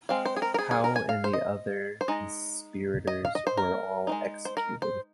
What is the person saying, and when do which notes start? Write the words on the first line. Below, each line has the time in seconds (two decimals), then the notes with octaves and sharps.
Hou and the other conspirators were all executed.
0.09 G#3 C4 F5
0.25 C5
0.36 G#4
0.42 A#4
0.54 A#4
0.59 G#4
0.71 G#4
0.84 A#4
0.96 G#5
1.09 F5
1.24 C5
1.33 D#5
2.01 C5
2.08 G#3 D#4 D#5
3.07 D#5
3.25 F5
3.35 D#5
3.47 C5
3.57 A#4
4.07 C4 D#4
4.12 G#3
4.45 C5
4.57 A#4
4.82 C5